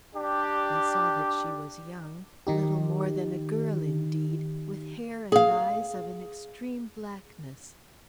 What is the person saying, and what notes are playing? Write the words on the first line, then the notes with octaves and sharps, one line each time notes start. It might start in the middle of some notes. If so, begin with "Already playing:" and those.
I saw that she was young, little more than a girl indeed, with hair and eyes of an extreme blackness.
D4 G4
D#3 D#4 G4
G#4 F5